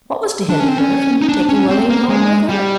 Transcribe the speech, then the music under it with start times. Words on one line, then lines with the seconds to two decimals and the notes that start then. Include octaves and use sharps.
What was to hinder her from taking Loreen home with her?
0.50 D4
0.60 C#4
0.68 C4
0.78 C#4
1.22 D#4
1.29 D4
1.49 C#4
1.69 C4
1.89 A#3
2.09 G#3
2.49 G3